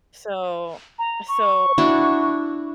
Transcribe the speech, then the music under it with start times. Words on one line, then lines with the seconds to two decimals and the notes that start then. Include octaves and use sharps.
So, so
0.99 A#5
1.28 C#6
1.78 D4 E4 F#4